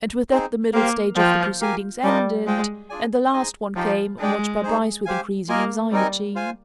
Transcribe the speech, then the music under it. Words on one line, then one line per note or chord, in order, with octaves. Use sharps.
And with that the middle stage of the proceedings ended--and the last one came, watched by Bryce with increasing anxiety.
C4 D#4 G#4 C5
A#3 G4 C5 F5
F3 F4 C5 G5
G4 A#4 F5 G#5
G3 D4 F4 A#4 D#5
G#3 F4 C5 G5
D4 F4 G#4 D5 G#5
D#4 G#4 C5 D#5 G#5
F3 D#4 G4 C5 G5
G#3 D4 G#4 D5 G5
D#4 G#4 C5
G4 C5 F5 G#5
A#3 F4 A#4 D#5 G#5
G3 C4 D#4 A#4 D#5 G#5
F4 C5 F5 G#5